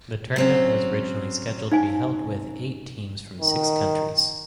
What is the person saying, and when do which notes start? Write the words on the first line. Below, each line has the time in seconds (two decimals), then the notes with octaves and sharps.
The tournament was originally scheduled to be held with eight teams from six countries.
0.36 F#3 C4 C#4
1.72 D#4 F5 G#5
3.41 D#3